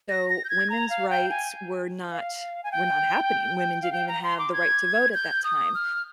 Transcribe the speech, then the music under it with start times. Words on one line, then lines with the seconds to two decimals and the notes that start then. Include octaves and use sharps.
so women's rights were not were not happening, women didn't even have the right to vote at that time.
0.09 A#6
0.29 A#6
0.44 G6
0.49 G#6
0.70 A#5
0.90 F5
1.10 G5
1.30 G#5
2.12 F5
2.64 G#5
2.72 G5
3.82 F5
3.92 G5
4.08 A#5
4.23 C6
4.39 D6
4.53 G#6
5.14 G6
5.44 D#6
5.74 F6